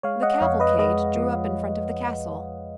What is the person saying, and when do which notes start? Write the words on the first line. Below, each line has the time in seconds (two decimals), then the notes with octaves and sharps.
The cavalcade drew up in front of the castle.
0.03 G#3 C#5 F5
0.22 D#5 F#5
0.34 D#5
0.41 F2 C#5 F5
0.60 B4 D#5
0.79 G#3 B4 D#5
1.16 F3